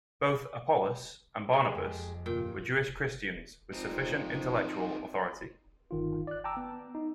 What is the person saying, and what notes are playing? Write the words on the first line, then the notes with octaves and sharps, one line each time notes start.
Both Apollos and Barnabas were Jewish Christians with sufficient intellectual authority.
G#3 G4 G#4
F2 A#3
G2 A#2 C#3 G3 G5
F2 A#2 F3 C4 D#4
G1 D#3 F4
D5 F#6
G5 A5 A#5 D6 E6
B3
D#4